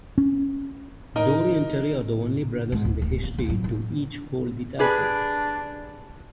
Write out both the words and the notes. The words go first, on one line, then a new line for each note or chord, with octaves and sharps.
Dory and Terry are the only brothers in history to each hold the title.
C#4
D#4 A#4 D#5
G#2
D2
D1
A#3
D#2
F#3
G#1
D4 G4 G#4 B4